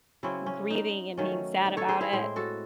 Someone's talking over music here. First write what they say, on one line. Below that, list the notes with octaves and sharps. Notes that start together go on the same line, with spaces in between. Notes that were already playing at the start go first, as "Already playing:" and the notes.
grieving and being sad about it,
C#3 F#3 C4 C#4 E4
C#4
D#4
D#3 F#3 A3 C#4
D#4
A4 C#5
G#4 C5
E4 G#4
A2 G#3 C4
F#4 A4